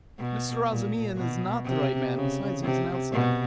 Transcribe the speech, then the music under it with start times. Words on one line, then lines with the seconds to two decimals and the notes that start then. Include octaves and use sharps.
Mr. Razumihin is not the right man, besides he is an outsider.
0.19 B2
0.68 A#2
1.17 B2
1.65 C3
2.15 C#3
2.63 C3
3.12 B2